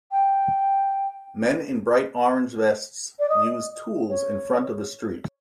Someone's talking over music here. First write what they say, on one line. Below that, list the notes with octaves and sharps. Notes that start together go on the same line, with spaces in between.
Men in bright orange vests use tools in front of a street.
G5
D5
D#5
C#5